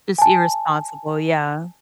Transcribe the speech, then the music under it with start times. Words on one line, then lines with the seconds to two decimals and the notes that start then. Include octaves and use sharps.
Just irresponsible, yeah.
0.18 G#5 A5